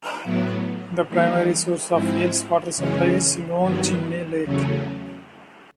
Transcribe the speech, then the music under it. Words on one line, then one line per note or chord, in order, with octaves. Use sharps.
The primary source of Yale's water supply is Lone Chimney Lake.
A2 F#3 B3
E3 G3 A#3 D#4
G#2 F3 G#3 C4 E4
F#2 C#3 E3 G#3 C#4
G2 D#3 F#3 B3
E2 C#3 F#3 A3 C#4